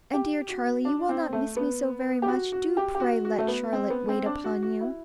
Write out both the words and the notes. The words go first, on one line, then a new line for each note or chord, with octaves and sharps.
'And, dear Charlie, you will not miss me so very much; do pray let Charlotte wait upon you.'
G4
F#4
D4
C4
A3
B3
G4
F#4
F#4
G4
G4
F#4
F#4
A3
B3
C4
B3
C4
D4
F#4
F#4
E4